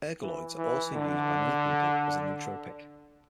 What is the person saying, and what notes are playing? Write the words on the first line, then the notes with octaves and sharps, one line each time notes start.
Ergoloids are also used by many people as a nootropic.
E3
E3
D3